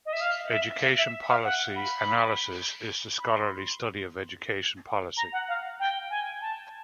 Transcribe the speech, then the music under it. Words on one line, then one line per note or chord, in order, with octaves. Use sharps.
Education policy analysis is the scholarly study of education policy.
D#5
E5
F5
E5
E5
E5
F5
F#5
B5
B5
C6
A#5
F#5
F5
G5
G#5
A5